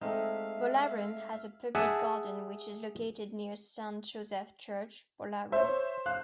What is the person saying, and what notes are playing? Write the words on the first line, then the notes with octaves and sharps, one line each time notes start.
Bolarum has a Public Garden which is located near Saint Joseph Church, Bolarum.
G#3 A3 C4 D#4 E5 F5
G#4 E5 F#5 G#5 A5
C5 C#5 E5
F5 F#6